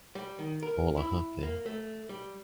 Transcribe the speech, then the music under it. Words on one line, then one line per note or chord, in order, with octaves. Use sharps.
All are happy.
G3
D#3
A#4
E4
A#3
A3
G3